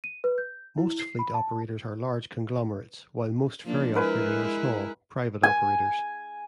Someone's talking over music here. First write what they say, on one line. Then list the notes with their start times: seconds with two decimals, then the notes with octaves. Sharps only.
Most fleet operators are large conglomerates, while most ferry operators are small, private operators.
0.04 D#7
0.24 B4
0.38 G6
0.78 E4
0.99 C7
1.19 B5
1.34 A5
3.64 F3 A#3 D4
3.95 G#3 E4 A#4 B4 G#5
5.43 G#5